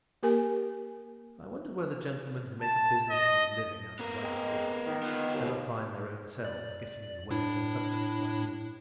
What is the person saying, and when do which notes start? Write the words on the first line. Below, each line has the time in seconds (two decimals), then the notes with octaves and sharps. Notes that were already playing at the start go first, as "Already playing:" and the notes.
I wonder whether the gentlemen who make a business and a living out of writing books, ever find their own selves getting in the way of their subjects, like me?
0.23 A#3 G4 A#4 G#5
2.62 A5
3.10 D#5
3.99 B3 A#4
4.22 G#3 C4
4.86 D#3
5.03 B3 F4
5.34 D#2
6.45 D5
7.30 A2 D4 E4